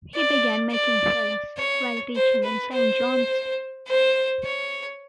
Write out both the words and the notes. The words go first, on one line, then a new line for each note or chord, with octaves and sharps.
He began making films while teaching in Saint John's.
D5
D5
C#5
C5
B4
C5
C5
C#5